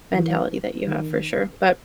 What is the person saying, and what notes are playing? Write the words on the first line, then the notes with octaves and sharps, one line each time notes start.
mentality that you have, for sure. But,
E3
D#3